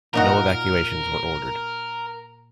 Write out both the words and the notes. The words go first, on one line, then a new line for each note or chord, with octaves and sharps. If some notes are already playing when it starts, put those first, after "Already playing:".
No evacuations were ordered.
A#2 D#4 F#4 A#4